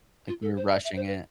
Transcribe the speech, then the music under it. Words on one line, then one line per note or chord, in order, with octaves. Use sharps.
Like, we were rushing it.
F4
A4
C5
D5
E5
C5
B4